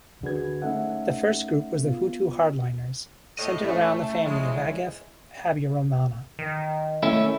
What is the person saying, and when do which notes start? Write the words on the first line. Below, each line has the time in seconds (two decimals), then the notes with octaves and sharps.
The first group was the Hutu hardliners, centred around the family of Agathe Habyarimana.
0.23 D2 D3 F#4 G#4 B4 G#6
0.62 A3 C#4 D#4 A4 E5 F#5
1.82 B3 F4
3.39 A2 D#5
3.64 A3 C#4 E4
4.26 F2 G#3
6.39 D#3
7.03 A3 C#4 E4